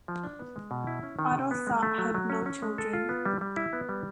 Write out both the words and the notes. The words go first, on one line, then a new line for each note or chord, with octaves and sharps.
Otto Thott had no children.
F3
D4
B3
G#3
B2
E4
C#4
D#3
C3
B3
G#3
A3
F#3
F#3
C#4
C#4
G#3
A4
F4
B3
G3
G3
E4
B3
G3